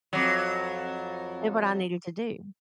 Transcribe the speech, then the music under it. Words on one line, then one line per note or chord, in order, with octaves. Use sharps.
did what I needed to do.
F2 F#3